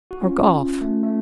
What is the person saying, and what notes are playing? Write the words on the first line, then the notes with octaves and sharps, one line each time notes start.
Or golf?
F#4
C#4 F4
A3
A3